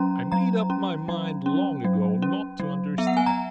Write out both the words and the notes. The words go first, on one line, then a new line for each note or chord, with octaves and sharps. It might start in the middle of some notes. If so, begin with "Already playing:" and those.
I made up my mind long ago not to understand.
Already playing: F#3 C#4 A#5
F#3 A#5
C#4
F#3
C#4
F#3
C#4
F#3
B3 E5
F#5
G#5
A#5